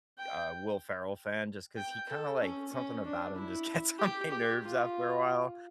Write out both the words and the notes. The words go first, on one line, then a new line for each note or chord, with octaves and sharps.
uh, Will Ferrell fan just 'cause he kinda like something about him just gets on my nerves after a while,
G5
G5
A4
C#4
C#4
D4
E4
G4
G4
F4